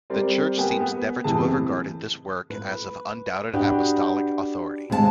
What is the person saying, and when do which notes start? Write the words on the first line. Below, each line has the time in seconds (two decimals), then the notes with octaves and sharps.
The Church seems never to have regarded this work as of undoubted Apostolic authority.
0.10 G3 C4 G4 A#4 D5
0.58 B3 G4 A#4 G#5
0.80 B3
1.24 F#1 A2 C3 E3 G#4 A5
2.50 B4
3.53 D4 F#4 G4 B4 D#5
4.90 D#2 C3 G#3 A#4 A5